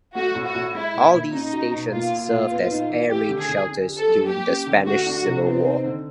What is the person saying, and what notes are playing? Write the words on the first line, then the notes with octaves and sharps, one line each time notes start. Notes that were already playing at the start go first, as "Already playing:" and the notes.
All these stations served as air raid shelters during the Spanish Civil War.
A3 F#4
A2
F#4
A2
G#3 E4
A#2
A#2
C#4 D#4
F#4
B2
A#3 F4
A#2
F4
A#2
B3
D#4
E3
A3 G4
D3
G#4
D3
D4
G4
A4
F#3
A#3 G4
C#4
D3
A3 F#4
D4
F#4
C3
B3 C4
D#4
D3